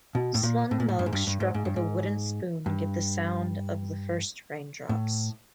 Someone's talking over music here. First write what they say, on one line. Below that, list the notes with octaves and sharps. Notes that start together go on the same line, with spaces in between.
Slung mugs struck with a wooden spoon give the sound of the first raindrops.
B2
A2
A#2
A2
A#2
A2
G2
G#2
G2
G2
G#2
G#2
G2
G#2
G2
A2